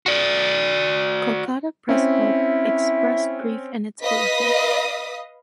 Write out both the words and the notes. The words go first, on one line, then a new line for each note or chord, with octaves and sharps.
Kolkata Press Club expressed grief in its bulletin.
F#4 D5
C4 C#4 E4
B4 D#5 F5 D#6 B6